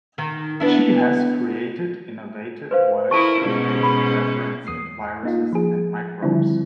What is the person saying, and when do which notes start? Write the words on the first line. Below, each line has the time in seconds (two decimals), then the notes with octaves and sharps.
She has created innovative works in lace referencing viruses and microbes.
0.18 D#3
0.60 B3 D4 E4
2.71 B4 C5 F5
3.11 E4 A4 A#4 A5 C#6
3.41 G#2 B2 C#4
3.83 B5
4.67 E2 D#6 C7
5.23 A#3 D#4 F4
5.53 F3 G#4
6.23 D3 D#3 F3 G3 C4 E4